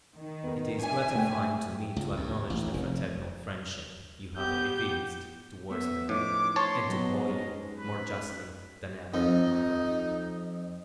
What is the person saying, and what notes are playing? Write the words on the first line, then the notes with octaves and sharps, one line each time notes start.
It is gratifying to me to acknowledge the fraternal friendship you have evinced towards me, and to call you, more justly than ever, my brother.
D#3
B3 A#4
D4 E5 G#5
A3 G5
C#2
D#2
A1
F1
B3 G4 G6
A3 B3 E5
A2 F3 C#4 D#4 D6
C#5 A5 C6
F#3 B3 G4 D#5
G#3 C#4 D#4
B4
F2 D#4